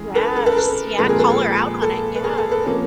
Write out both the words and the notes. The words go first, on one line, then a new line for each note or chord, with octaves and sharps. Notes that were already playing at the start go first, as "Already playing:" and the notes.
Yes, yeah, call her out on it, yeah.
Already playing: C#3 E3 G#3 G#4
A4 B4
A4 B4
A4 B4
A#4
A4 B4
A#2 F3 G#3 C4 A4 B4
G#4 A#4
A4 B4
A4
A4
B4
G#4 A#4
A4
A4 B4
C3 F3 A#3 C#4